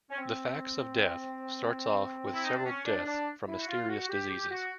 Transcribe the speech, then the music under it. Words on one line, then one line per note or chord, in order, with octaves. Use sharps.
"The Facts of Death" starts off with several deaths from mysterious diseases.
C#4
C4
E4
D#4
D4
C#4
D4
D4
E4
F#4
F4
F#4
G4
G4
F#4